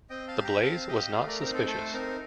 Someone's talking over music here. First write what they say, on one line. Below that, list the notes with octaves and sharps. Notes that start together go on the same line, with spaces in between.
The blaze was not suspicious.
C4 D#5 G5
F5 A5
G4
G5 A#5
C4 F5 A5
G4 D#5 G5
A3 D5 F5
A#4 D5
C4 D#4 A#4
A4 C5
A3 A4 C5
C4 D#4 A#4